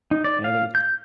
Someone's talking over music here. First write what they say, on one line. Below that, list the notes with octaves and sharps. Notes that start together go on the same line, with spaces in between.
and it's
D#4
D5
F5
G6